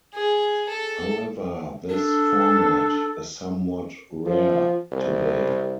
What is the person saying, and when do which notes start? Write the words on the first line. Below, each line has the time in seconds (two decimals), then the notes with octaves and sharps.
However, this format is somewhat rare today.
0.14 G#4
0.69 A4
1.89 D4 A4
4.26 F3
4.92 C2